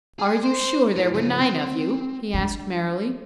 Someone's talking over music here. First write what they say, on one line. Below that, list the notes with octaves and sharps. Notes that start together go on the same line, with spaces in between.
"Are you sure there were nine of you?" he asked, merrily.
G#4
C5
A2
C#3 F3
C4
G#3 D4